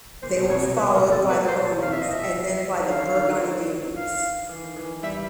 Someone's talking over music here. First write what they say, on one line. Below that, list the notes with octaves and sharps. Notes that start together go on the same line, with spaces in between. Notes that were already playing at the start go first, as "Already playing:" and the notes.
They were followed by the Romans and then by the Burgundians.
A#2 C5
B2 C5
C3 C#5
B2 C#5
B2 B4
A#2
A#4
A#2
A4
C3
B2 B4
A#2
C5
B2
D5
C3 F5
E5
D#5
E5
D#3
D3 F5
D#3
D3
D#3
F5
E3
D#3
E3
G3 E5